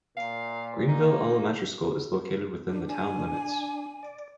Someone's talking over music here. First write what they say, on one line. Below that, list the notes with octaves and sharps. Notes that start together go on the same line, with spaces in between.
Greenville Elementary School is located within the town limits.
A#2 F5
A#3 D#4
D4
G#5
D5